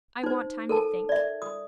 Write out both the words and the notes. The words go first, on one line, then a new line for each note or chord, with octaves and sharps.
"I want time to think."
D#4 C5
A4 A#4 A5
D5 E5
D#6